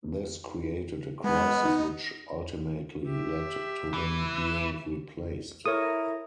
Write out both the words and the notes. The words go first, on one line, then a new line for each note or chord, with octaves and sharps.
This created a crisis which ultimately led to him being replaced.
G#3 B3
D#4
G4 E5
E3
E4 A4 A#4 C#5 D#6